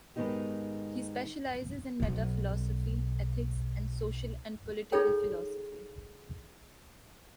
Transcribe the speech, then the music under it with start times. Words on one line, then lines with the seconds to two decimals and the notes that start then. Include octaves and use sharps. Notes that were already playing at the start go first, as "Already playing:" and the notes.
He specializes in metaphilosophy, ethics, and social and political philosophy.
0.16 G#2 D#3 B3 D#4 G4
2.00 B1 B2
4.92 D#4 F4 G#4 A4 C#5 G5